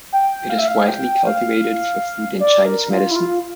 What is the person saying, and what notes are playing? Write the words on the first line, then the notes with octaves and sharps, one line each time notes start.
It is widely cultivated for food and Chinese medicine.
G5
F5
E5
F5
G5
F5
D5
A#4
F4
E4
F4